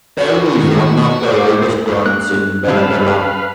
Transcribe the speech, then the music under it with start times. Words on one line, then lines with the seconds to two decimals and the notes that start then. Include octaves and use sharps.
Tiel is one of the oldest towns in the Netherlands.
0.18 F#4
0.55 D#3 F#4
1.28 C5 D6
2.06 A#3 F#6
2.68 C#3 G3 C4 A4 B4 F5